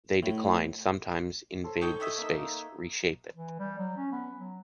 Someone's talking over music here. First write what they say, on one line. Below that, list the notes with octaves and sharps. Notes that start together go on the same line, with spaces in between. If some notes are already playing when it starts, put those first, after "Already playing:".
They decline, sometimes invade the space, reshape it.
A2
A4 C5 C#5
D#4 C#5 G5 G6
A3 D#5 E5
A#3 D#4
E3
G3
F#3
C#4
B3
F#3